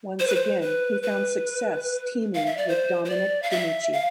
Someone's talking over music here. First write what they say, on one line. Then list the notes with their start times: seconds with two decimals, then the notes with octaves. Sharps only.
Once again, he found success teaming with Dominic DeNucci.
0.20 C5
0.27 B4
0.35 C5
0.61 B4
1.03 B4
2.35 F5
2.46 E5
2.57 D5
2.68 C5
3.05 C5
3.10 D5
3.43 F5
3.51 E5
3.93 F5